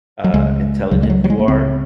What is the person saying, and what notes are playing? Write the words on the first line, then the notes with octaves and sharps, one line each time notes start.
uh, intelligent you are.
F#3
C#2 C#3 G#3
C#2 C#3 F#3
G#3
F#3
F#3
G#3
A3
C#2 C#3 C4